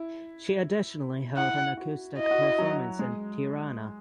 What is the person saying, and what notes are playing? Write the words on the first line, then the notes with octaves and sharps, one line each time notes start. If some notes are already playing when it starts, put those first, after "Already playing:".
She additionally held an acoustic performance in Tirana.
Already playing: E4
E4 F#5
F#4
E4 D#5
F#4
E4
F#3
G#3